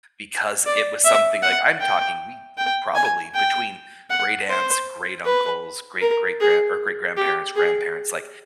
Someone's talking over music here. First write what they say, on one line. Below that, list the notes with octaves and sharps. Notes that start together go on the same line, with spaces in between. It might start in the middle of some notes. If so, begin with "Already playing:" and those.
because it was something, like, I'm talking, we probably, between great-aunts, great-uncles, great-great-grand or great-grandparents, grandparents, like,
D5
E5
F#5
G5
G5
G#5
G5
F#5
C5
B4
A#4
G#4
G4
G#4